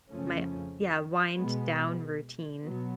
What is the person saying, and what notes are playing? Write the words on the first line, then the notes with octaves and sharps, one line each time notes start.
my yeah, wind-down routine.
F2 C#3 F3 A3 C#4
B2 G#3 B3
B2 F#3 B3